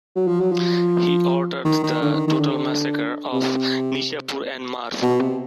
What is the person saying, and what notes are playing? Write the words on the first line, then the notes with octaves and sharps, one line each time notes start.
He ordered the total massacres of Nishapur and Merv.
F#3
F3
F#3
F3
D#3
D#3
D3
D#3
D#3
D3
C3
B2
C3